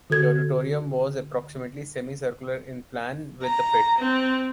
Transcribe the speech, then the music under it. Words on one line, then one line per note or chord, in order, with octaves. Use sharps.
The auditorium was approximately semi-circular in plan, with the Pit.
D3 F#4 A4 G#6
A#5
C4